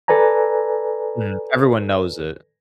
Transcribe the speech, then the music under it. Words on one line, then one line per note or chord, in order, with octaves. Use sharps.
Mhm, everyone knows it.
A4 B4 D5 G#5 A#5